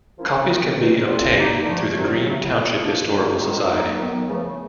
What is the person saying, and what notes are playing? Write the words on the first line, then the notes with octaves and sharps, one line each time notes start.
Copies can be obtained through the Green Township Historical Society.
F3 A#3 C#4 E4
D#3 F#3 B3 D#4 G4
E2 B2 G3 C4 D#4
D3 G3 C4 F4
G3 A#3 D#4
D3 F3 A3
C3 D#3 F#3
C#3 F#3 A3
F3 G#3 C4 E4
F3 A#3 D4
D3 G3 A#3
F#2 D#3 G#3 C#4 F4
A#2 F#3 A#3 D#4
D#3 F#3 B3
E2 C#3 F3 A3